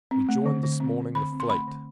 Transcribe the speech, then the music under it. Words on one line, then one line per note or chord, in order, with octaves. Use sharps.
We joined, this morning, the fleet.
C4
A3
D3
D3
C4
D3
D3 B5
C4
C6
A3 B5
D3